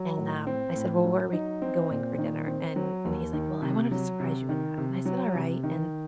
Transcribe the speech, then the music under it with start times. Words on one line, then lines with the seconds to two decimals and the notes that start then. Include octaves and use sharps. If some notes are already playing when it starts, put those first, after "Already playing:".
and, um, I said, "Well, where are we going for dinner?" And and he's like, "Well, I wanted to surprise you with that," and I said, "All right," and,
Already playing: F#3
0.18 A2
0.47 C4
0.75 A2
1.05 F#3
1.33 D#4
1.62 C4
1.90 A#2
2.18 D#3
2.48 C4
2.76 F#3
3.05 D#2
3.33 D#3
3.62 C3
3.91 F#3
4.20 C3
4.49 D#3
4.78 C3
5.05 F#3
5.35 C3
5.63 D#3